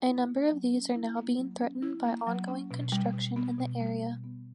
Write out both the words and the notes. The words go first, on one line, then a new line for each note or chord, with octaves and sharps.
A number of these are now being threatened by ongoing construction in the area.
E4
A#3
F#3
C#4
E4
A#3
F#3
C#4
E4
A#3
F#3
C#4
B2
G3
B2
B3
B2
G3
B2
B3